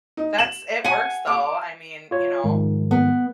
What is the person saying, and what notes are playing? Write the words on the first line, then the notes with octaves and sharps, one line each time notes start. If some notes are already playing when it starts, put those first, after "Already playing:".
That's it works, though, I mean, you know,
D#4
E7 F#7
F#5 G#5
D6
F4 C#5
G#2 D#3 F3
B3